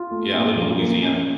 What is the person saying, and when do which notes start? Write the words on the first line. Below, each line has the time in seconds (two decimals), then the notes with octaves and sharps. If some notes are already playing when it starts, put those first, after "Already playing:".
yeah, I live in Louisiana.
Already playing: F4
0.11 A3
0.34 A#2
0.56 F3
0.80 A#3
1.02 C#4